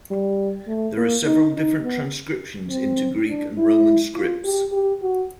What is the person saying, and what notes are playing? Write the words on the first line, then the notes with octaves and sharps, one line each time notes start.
There are several different transcriptions into Greek and Roman scripts.
G3
A3
A#3
D#4
D#4
B3
C4
D4
E4
F4
G4
G4
F#4